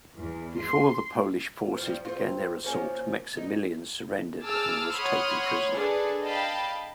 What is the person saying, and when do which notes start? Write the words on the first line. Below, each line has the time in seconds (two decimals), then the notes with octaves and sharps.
Before the Polish forces began their assault, Maximilian surrendered and was taken prisoner.
0.16 E2
0.61 C6
1.77 G2 F3
2.05 C4 F4
2.64 F3 A#3 C#4
3.37 D#4
4.43 G#4 A5 D6 E6 F6
4.95 C#5 F#5 B5 C6 D#6 F6
5.75 D4 G#4 A4 B4
6.22 D#5 F5 G5 A5 B5